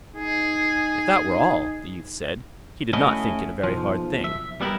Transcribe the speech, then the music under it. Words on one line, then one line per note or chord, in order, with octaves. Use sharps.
If that were all, the youth said, he did not think it a very hard thing.
D#4 G#4
A3 C#4 E4 F#4 D#5
B1 F3
E5
G3 B3 E4 F4 G4 A#4